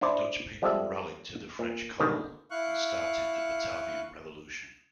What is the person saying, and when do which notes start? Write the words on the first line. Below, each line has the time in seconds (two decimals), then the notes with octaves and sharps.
The Dutch people rallied to the French call and started the Batavian Revolution.
0.01 D4 E4 C5 D5
0.62 F3 G3 G#3 C4 A4 E5
1.59 A#2
2.00 G#2 B2 D3 D#3 G3
2.51 E4 F5 C#6 F#6